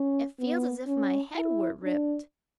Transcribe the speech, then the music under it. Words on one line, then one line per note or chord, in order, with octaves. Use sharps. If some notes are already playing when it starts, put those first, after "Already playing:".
"It feels as if my head were ripped."
Already playing: C#4
B3
C#4
E4
D4